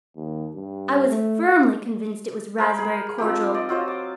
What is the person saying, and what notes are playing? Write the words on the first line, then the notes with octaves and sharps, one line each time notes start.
I was firmly convinced it was raspberry cordial.
D#2
G2
A3
A#4 C5 B5
G#4
F3 C4 D#4 G4
D5 D#5
F#3 F4 C5 D#5
D6